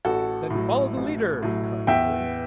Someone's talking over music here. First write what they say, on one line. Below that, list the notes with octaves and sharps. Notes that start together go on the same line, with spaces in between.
"Then follow the leader," he cried gaily.
A1 F#4 A4
A2 F#3
A1
A2 F#3
E2 E5 G5